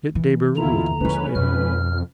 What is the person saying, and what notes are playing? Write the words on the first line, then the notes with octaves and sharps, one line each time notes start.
Get de Berulle to persuade him.
E3
D#2 B2 D3 E4 F4 A#5
G#2 F3 C#4 E4 B4
F2 B2 F6